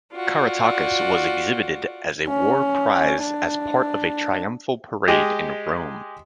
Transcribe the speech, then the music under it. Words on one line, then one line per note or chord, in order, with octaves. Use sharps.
Caratacus was exhibited as a war-prize as part of a triumphal parade in Rome.
F4 F#4 D5
C#4
D4
G#3 G4 D#5